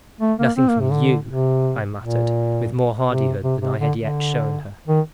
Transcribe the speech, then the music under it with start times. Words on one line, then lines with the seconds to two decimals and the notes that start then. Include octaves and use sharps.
"Nothing from you," I muttered, with more hardihood than I had yet shown her.
0.21 A3
0.39 A#3
0.57 C4
0.68 A#3
0.80 C3
0.92 D3
1.29 C3
2.00 A#2
3.07 C3
3.43 C3
3.61 C3
3.79 D3
3.97 D3
4.87 D#3